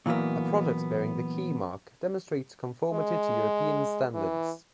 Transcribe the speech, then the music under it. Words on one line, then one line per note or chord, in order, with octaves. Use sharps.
A product bearing the Keymark demonstrates conformity to European Standards.
A#2 E3 F#3 A#3 B3
G#3
E3